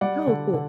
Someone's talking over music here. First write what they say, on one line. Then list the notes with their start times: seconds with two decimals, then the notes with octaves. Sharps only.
Oh, cool.
0.01 G3 D5 F#5
0.27 D3
0.53 D3